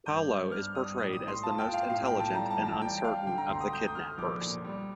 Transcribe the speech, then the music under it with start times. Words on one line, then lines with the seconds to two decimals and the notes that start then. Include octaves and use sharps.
Paulo is portrayed as the most intelligent and uncertain of the kidnappers.
0.06 G2 G6
0.29 G3
0.52 G2 F6
0.75 G3 D#6
0.97 A2 D#6
1.13 D#6
1.21 A2
1.28 C6
1.43 F4 A5
1.58 G5
1.67 F4
1.74 F5
1.90 A2 F5
2.05 G5
2.12 A2
2.20 A5
2.35 G3 A#5
2.51 A5
2.58 A1
2.66 A5
2.81 G3 G5
3.04 G3 F5
3.26 D3 G5
3.38 A#5
3.49 D2 C6
3.61 D#6
3.73 A3 G6
3.88 D#6
3.95 A3 F6
4.18 A#1 D6
4.41 A#2
4.64 G3